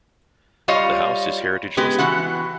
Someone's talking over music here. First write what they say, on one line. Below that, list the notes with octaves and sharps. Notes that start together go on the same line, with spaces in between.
The house is heritage-listed.
G3 F4 C#5 D#5 F5
G#3 B3 G4
E3 F#4 F#5